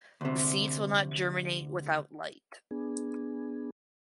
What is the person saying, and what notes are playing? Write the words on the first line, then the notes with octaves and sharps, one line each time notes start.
The seeds will not germinate without light.
D2 C3
B3 D4 G#4